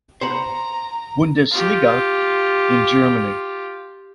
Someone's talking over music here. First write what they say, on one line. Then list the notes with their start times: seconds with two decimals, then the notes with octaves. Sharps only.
Bundesliga in Germany.
0.21 C5 F#5 A#5 B5
1.51 F4 G4